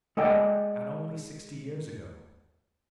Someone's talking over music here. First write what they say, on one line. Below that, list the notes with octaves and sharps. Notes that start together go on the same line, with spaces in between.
And only sixty years ago!
G#3 A4 D5 D#5 F#5 G5